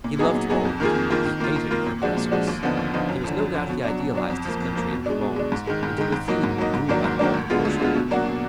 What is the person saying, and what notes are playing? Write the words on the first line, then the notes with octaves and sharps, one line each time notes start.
He loved Poland, he hated her oppressors. There is no doubt he idealized his country and her wrongs until the theme grew out of all proportion.
A#2
F#3 B3 D#4 G#4
A#2
F#3 B3 D#4 G#4
F2
D#3 A#3 F4 G#4
F2
D#3 A#3 F4 G#4
D#3
A#3 F4
D#3
A#3 F4
A#2
F3 G#3 D4 F#4
A#2
F3 G#3 D4 F#4
D#2
D3 F3 B3 D#4
D#2
D3 F3 B3 D#4
F#2
D3 F3
F#2
D3 F3
B2
F#3 D4
B2
F#3 D4
F2
F3 A#3
F2
F3 A#3
B2
G#3 D4
B2
G#3 D4
G#2
D#3 G#3
G#2
D#3 G#3
G#2
F#3 A#3 D#4
G#2
F#3 A#3 D#4
G#2
D#3 F#3 A#3 D4
G#2
D#3 F#3 A#3 D4
D2
D3 G#3 B3 F4
D2
D3 G#3 B3 F4
B2
F#3 A#3 D4 F#4
B2